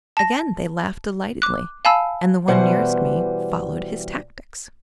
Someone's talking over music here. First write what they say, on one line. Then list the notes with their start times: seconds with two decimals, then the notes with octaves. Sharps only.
Again they laughed delightedly, and the one nearest me followed his tactics.
0.17 A5 A#6
1.42 D6 F#6
1.85 F5 G#5 A5 B5 E6
2.48 B2 E3 G3 C5 F#5